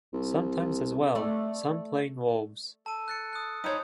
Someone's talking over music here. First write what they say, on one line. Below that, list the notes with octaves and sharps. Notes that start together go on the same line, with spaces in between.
Sometimes as well, some plain wolves...
C2
A3 D5
A4 A5 D#7
F#6 A6 C#7
D#6 F#6
D#4 C5 C#5 G5 B5 D#6 G#6